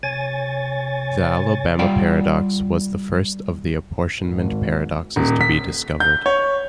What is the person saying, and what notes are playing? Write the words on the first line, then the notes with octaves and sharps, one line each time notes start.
The Alabama paradox was the first of the apportionment paradoxes to be discovered.
C3 C#5 G#5 A6
G3 F4 D5 F5 G5
G#1
D#1
B6
G6
C#5